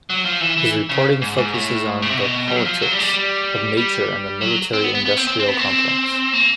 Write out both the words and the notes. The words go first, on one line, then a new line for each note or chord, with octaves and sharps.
His reporting focuses on the politics of nature and the military-industrial complex.
F#3
F3
E3
E3
C#3
G#2
G#2
A2
C#3
C3
B2
G3
F#3
F3
F#3
G3
G#3
G3
G3
G3
F#3
C4
B3
B3
B3
C4
C4
C4
B3
C4
A#3